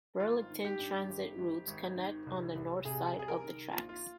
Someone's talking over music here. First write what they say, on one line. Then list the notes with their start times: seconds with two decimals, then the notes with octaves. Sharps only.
Burlington Transit routes connect on the north side of the tracks.
0.20 G#1 F4
0.50 D#3
0.65 G4
0.79 G2
1.09 G#1
1.38 G#1
1.68 G#1
1.96 D#3
2.27 C2
2.55 C2
2.85 C3 G#4
3.15 C2 G#4
3.28 A#4
3.44 D#3
3.72 A#1 F4
3.89 F4